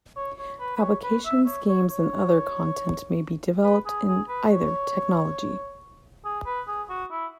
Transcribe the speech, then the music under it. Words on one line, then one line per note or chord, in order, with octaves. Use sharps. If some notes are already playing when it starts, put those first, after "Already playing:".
Applications, games and other content may be developed in either technology.
C#5
C#5
B4
B4
C#5
B4
E5
C#5
C#5
C#5
B4
G#4
G#4
B4
C#5
G#4
B4
G#4
F#4
E4